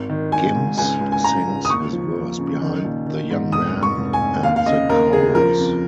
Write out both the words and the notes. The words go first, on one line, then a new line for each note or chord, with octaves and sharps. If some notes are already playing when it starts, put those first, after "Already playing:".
Gims sings his verse behind the young man and the chorus.
Already playing: G#1
D#3
G#1 G#5
G#2
C#2 G#5
C#2
G#5
C#2 A#5
C#2
D#6
D#2 C#6
F3
D#2
C#3
D#3
A#1
D#3
G#2
F1 D#6
F1
C#6
F1
G#5
F1
D#2 F5
F5
C#3 D#5
D#2 A#4
C#3 G#4
F3 A#4
F2